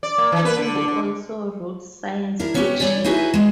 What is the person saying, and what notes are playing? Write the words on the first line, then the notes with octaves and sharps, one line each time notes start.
Cady also wrote science fiction.
D5
A#3
E3
B4
D3
D3
D3
D4 E4 A#4
B3 C#4 D4 F#4 G4
G3 C#5 D5 G#5
D#4 E4 F#4 G#4 B4 E5
E3 G#3